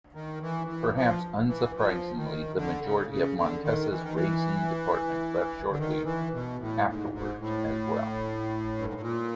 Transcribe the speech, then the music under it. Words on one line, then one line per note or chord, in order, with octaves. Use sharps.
Perhaps unsurprisingly, the majority of Montesa's racing department left shortly afterwards as well.
D#3
E3
E3
F3
E3
F3
D#3
D3
C#3
C#3
D3
D#3
E3
D#3
E3
D3
D#3
E3
B2
A2
G#2
G#2
A2
G2
G#2
A2
A#2